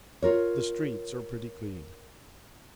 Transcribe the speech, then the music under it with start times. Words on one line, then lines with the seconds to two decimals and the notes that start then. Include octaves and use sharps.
The streets are pretty clean.'
0.22 F4 A#4 C#5